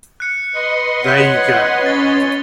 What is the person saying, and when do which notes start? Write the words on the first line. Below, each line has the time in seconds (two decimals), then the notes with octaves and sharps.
There you go.
0.20 F#6 C#7
0.52 B4 D#5 C6
1.05 C#5 F#5 B6 D#7
1.86 C#4 A6 G7